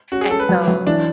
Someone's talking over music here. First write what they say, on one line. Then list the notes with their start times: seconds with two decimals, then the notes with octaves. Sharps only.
And so
0.12 C#4 F#4
0.21 G#4
0.30 C#4 A4
0.40 B4
0.49 F#3
0.68 F#3
0.87 E3 D4